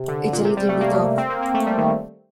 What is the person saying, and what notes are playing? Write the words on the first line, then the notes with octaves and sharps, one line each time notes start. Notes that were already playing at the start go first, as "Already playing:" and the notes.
It's a little bit off.
Already playing: C3
D3
A#2
C3
G3
A3
A#3
C4
A#3
A#3
A3
G3
D#3